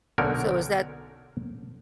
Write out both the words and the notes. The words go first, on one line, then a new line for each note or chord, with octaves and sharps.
So is that
B1 D3 C#4 D#4 A#4